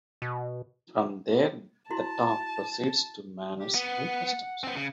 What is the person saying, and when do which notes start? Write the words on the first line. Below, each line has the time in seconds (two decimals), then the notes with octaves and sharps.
From there, the talk proceeds to manners and customs.
0.22 B2
1.90 E4 F#4 A5 C6
3.59 G4
3.75 B3 F#5
4.63 B3 C4
4.76 C#3